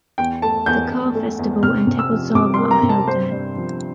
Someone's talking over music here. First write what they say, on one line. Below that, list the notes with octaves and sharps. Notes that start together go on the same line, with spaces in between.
The car festival and 'Teppotsava' are held there.
E2 G5
A3 A5
E2 G6
E2
A3
E2
C3 F6
C3
E6
F3
C3 D6
C6
A#3
A#5
C3
A5
G2 C5
G2
F3